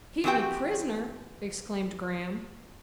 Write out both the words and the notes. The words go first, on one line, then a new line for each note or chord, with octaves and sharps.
"Keep me prisoner!" exclaimed Graham.
E3 C4 F#4 G4 G5